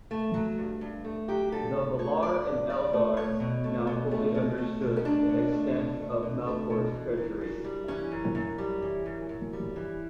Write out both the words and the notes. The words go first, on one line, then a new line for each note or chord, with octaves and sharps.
The Valar and Eldar now fully understood the extent of Melkor's treachery.
A3
F#3
G2
G2
A3
F#3 G4
G2 A4
G2
A3 C#5
F#3 D5
G2
G2 D5
A3
A3 C#5
B2
A3
B2
A3
B2
A3
B2
C#4
A3 D4
B2
A3
B2
A3
B2
A3
B2
E3
F#2
F#2
G3
E3 C#4
F#2
F#2
G3
E3
F#2
F#2
G3
E3